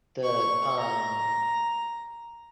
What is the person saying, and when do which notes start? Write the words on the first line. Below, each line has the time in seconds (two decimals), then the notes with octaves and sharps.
the, um
0.23 C#6
0.80 A#5